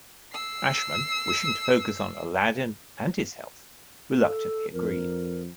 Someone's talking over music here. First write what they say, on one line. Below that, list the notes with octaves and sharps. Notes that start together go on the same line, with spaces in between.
Ashman, wishing to focus on "Aladdin" and his health, reluctantly agreed.
E6 C7
A4
F2 A#4